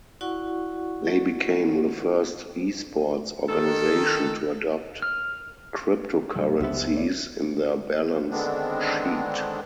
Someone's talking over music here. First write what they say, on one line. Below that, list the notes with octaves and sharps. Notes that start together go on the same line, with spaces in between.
They became the first esports organisation to adopt cryptocurrencies in their balance sheet.
E4 F#4 D5 F#5 C#6
D#3 A4
F6
F#1 C2 G2 G3
C#2 B3 G4 C5 E5
C#5 D5
D3 D#3 G#3 B3 C4 D4